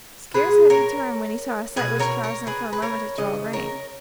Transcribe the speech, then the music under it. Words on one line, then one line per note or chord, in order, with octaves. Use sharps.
Scarce had he turned when he saw a sight which caused him for a moment to draw rein.
A#2 G#3 G#4 B4
A#4 C#5
B2 G3 G#4 B4
A#4 C#5
A#4 C#5
G#4 B4
B4
A#4 C#5
C#3 E3 D#5
A#4 C#5